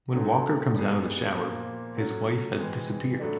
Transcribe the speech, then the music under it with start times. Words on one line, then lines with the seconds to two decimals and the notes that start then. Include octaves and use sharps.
When Walker comes out of the shower, his wife has disappeared.
0.11 D3 F#3 A3 C4
0.74 G3 B3 D#4 G#4
1.35 A#2 F3 A#3
1.97 F#3 A3 C#4
2.58 E3 G#3 C4
3.20 A2 F#3 A3 D4